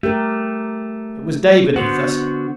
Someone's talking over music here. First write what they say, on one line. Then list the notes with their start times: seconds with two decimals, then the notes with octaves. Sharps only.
It was day beneath us.
0.03 A3 G4 A#4
1.76 D3 B3 F#4 C5